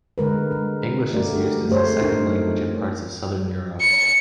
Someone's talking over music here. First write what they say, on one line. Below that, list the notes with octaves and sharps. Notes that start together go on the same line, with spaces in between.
English is used as a second language in parts of Southern Europe.
D3 G#3 A#4 B4
G#3
A3 F#4 A#4 D5
G4
A3 G#4 C5 C#5
D4 D#4 A#4
C#7